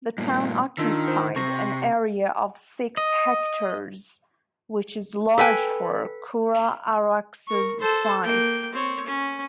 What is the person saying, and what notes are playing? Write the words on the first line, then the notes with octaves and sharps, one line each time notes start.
The town occupied an area of six hectares, which is large for Kura-Araxes sites.
G2 A#2
D#3 D4 F4 E6
C5
C3 C#6 A#6
D#5
A4 B4 G5 G#5
A#4 C#6
A4 C5
A#3 G5
C4 C#5
C#4